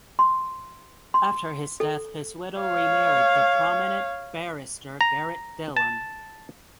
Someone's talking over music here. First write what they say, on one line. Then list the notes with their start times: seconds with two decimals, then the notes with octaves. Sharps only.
After his death his widow remarried the prominent barrister Garrett Dillon.
0.19 C6
1.14 C6
1.80 A4
2.60 C#5 F5
5.01 A#5
5.77 A5